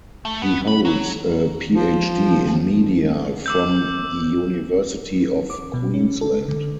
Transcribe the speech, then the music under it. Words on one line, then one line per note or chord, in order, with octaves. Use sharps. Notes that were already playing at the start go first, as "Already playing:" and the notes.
He holds a PhD in Media from The University of Queensland.
A3
B3
B5
F#3
F3
D6 E6 G6
D6
B2
C#4
A4
D3